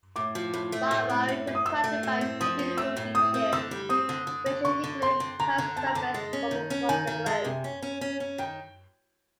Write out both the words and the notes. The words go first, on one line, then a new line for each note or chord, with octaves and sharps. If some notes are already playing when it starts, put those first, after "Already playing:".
Marmari is surrounded by beautiful beaches which frequently host surfers from across the globe.
A2 D6
F3
A2
A3
A2
C4
A2
A2
D#6
A2 E6
A3
A2
C4
F3 D#6
C4
A3 E6
A2
C4 D#6
C4
D3 E6
G3
C4 D#6
D3
D3
D3
D3 C#6
D3
C4 C6
D3
D3 A#5
D3
C4 A5
A#5
D3 A5
G#3
C#4
D#3
C#4
D#3 G#5
D#3
G#3
C3
C#4
C#4
C#4
C#4
D#3 G5